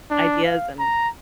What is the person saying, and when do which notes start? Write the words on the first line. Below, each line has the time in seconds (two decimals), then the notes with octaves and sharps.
ideas and
0.11 D4
0.45 F5
0.79 A#5